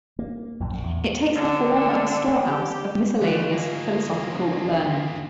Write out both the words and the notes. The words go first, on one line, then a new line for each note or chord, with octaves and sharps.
It takes the form of a storehouse of miscellaneous philosophical learning.
A#3
A#1 F#2 A2
E2 A2
D3
G4
D2 G3 E4 F4 D#5
A#3 G#4
C#3 F3